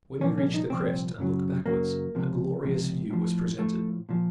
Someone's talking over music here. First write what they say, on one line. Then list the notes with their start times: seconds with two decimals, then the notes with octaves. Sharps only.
When we reached the crest and looked backwards, a glorious view was presented.
0.21 C2 A#2 F3 C#4
0.38 C#4
0.54 D#4
0.70 C2 A#2 F3 C4
1.18 F#2 C#3 F#3
1.66 F#2 C#3 F#3 A#3
2.15 C#2 C3 F3
2.63 C#2 C3 F3
3.10 A2 F3
3.58 A2 F3 A3
4.09 A#2 F3